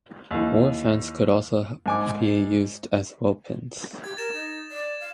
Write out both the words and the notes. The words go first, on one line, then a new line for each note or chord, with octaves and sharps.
War fans could also be used as weapons.
D#2 E3
G#2 G#5 D6
G4 G#6
A#4 A6 E7
D#4
D5
F5